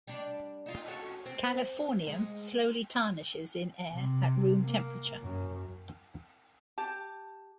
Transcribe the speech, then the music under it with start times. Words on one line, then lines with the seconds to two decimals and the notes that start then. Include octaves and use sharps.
Californium slowly tarnishes in air at room temperature.
0.07 G3 D4
0.66 D#4 F4
0.88 C#4 F#4 A4
1.26 C4
2.07 G#3
3.93 C3
4.62 A#3
5.22 F#2
6.78 G4 A5